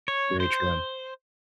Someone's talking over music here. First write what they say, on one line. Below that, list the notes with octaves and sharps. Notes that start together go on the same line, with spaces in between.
very true.
C#5
C5